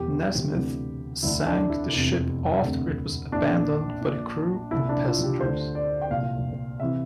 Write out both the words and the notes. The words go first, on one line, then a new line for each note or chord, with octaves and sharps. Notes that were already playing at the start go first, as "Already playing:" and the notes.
Nasmith sank the ship after it was abandoned by the crew and passengers.
Already playing: E1 E2 E3 G4
D2 C3 E3
E1 D2 D3 E4
D4
E4
F1 E2 C3 E3
E1 D2 C3
A#1 A#2 D4
A#1 A#2
C2 A#2 E4
D4
F4
G4
D2 D3 C5
D5
G5
C2 A#2 F5
C3 E3 E5